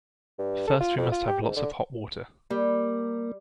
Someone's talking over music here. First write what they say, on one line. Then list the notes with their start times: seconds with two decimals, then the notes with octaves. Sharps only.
First we must have lots of hot water.
0.39 G2
0.67 A4
0.80 F4
0.97 F2
1.12 F4
1.27 G4
1.42 G#2
1.57 D3
2.50 G3 A#3